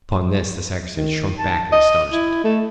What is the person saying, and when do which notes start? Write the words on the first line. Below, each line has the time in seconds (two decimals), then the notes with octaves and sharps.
Upon this the sacristan shrunk back in astonishment.
0.97 D#3
1.39 A5
1.72 D#5
2.13 E4
2.44 A3